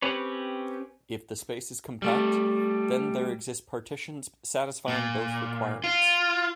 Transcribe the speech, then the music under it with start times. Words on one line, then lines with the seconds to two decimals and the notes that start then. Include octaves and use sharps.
If the space is compact, then there exist partitions satisfying both requirements.
0.02 C4 C#4 G4 B4 C#5
2.02 G3 A3
4.88 A#2
5.84 F4